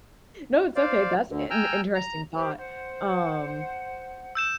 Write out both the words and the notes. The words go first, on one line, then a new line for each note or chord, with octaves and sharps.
no, it's okay, that's in interesting thought, um,
C5 D5 F5
D2 D3
G5 G#5 A#5 E6 F6
A#5
G4 C5
C5 F#5
E6 G6 E7